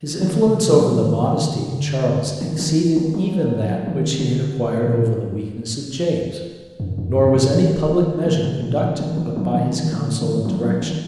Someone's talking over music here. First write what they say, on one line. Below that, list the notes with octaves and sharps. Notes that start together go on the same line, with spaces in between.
His influence over the modesty of Charles exceeded even that which he had acquired over the weakness of James; nor was any public measure conducted but by his counsel and direction.
D#3
C3
F#3
D#3
D#3
D3
C3
D3
D#3
D#3
D#3
F#3
D#3
C3
D3
A#2
F#2
F#2
G2
A#2
D#3
D#3
D3
C3
A#2
D3
D#3
D#3
F#3
D#3
D#3
D#3
D3
D#3
F#3
F#3
D#3